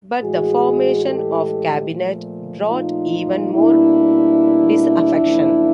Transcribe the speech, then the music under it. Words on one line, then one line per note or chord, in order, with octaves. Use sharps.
But the formation of Cabinet brought even more disaffection.
A2 E3 G#3 F#4 G#4
G4 A4
A#2 F3 A3
D#4 F4
B2 G3 A#3 D4 E4
F#2 C#3 F3 A#3